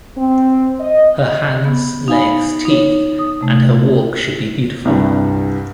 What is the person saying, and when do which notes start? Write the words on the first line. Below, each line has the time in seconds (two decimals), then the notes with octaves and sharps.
Her hands, legs, teeth and her walk should be beautiful.
0.17 C4
0.80 D#5
1.65 B3
2.08 D#4 F5 G#5 B5
2.65 D#4 C#5
3.19 D#6
3.41 C3 A3
4.85 C2 G2